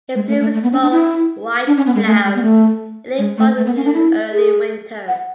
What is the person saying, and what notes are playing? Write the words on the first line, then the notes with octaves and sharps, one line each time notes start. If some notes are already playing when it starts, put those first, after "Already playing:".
It blooms small white flowers in late fall to early winter.
G#3
A3
A3
A3
B3
C#4
D4
E4
D4
C#4
B3
G#3
A3
G#3
B3
A3
G#3
A3
A3
B3
C#4
D4
E4
G#4
F#5